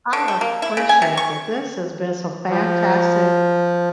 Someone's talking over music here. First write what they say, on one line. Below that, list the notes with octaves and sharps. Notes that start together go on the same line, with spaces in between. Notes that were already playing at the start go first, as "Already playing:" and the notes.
I appreciate that. This has been some fantastic,
D3
A3
A#3
E4
C#3
G#5
C3
C#6
F3